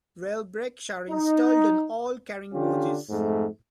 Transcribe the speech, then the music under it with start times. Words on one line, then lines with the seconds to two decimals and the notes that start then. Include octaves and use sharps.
Rail brakes are installed on all carrying bogies.
1.10 D#4
2.53 D3 C#4 D4 F4 G4
3.10 F2 G#2 A3